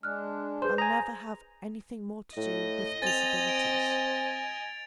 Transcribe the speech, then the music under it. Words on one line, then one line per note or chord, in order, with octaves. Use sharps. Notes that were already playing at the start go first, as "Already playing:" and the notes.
I'll never have anything more to do with disabilities.
G#3 D4 F6 F#6
G#4 B4 C5 G6
G#5 A#5 D#6 A#6
A2 D#5
C4 G#5 A6 F7
D7